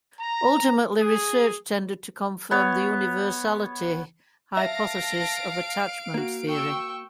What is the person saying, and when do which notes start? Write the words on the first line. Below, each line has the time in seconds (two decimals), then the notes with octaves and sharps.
Ultimately research tended to confirm the universality hypothesis of attachment theory.
0.20 A#5
0.99 G#4
2.51 B3 C#5
4.57 E5 F5 A5 A#6 D7
6.14 A#3 F#4
6.46 G5 C#6 E6